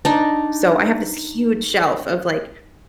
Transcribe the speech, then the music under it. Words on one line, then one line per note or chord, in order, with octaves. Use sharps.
So, I have this huge shelf of, like,
D4 D#4